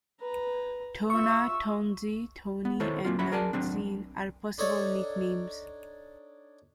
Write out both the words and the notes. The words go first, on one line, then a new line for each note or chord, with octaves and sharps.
Tona, Tonzi, Toni, and Nantzin are possible nicknames.
B4 A#5
F4 E5 C#6
B3
D#3 E4 A4 C5 C#5
A#3 C4 F4
F#3 C#4 E5 F#5 B5
G#4 A#4 D5 G#5 A5
F#3 C4 D4
D4 D#4 A4 C#5 D5